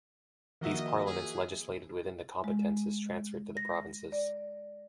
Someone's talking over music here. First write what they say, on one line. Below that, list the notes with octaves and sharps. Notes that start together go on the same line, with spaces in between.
These parliaments legislated within the competences transferred to the provinces.
D#3 F3 A#3 F#4 D#5 E5
G#4
G#3
A#6
D5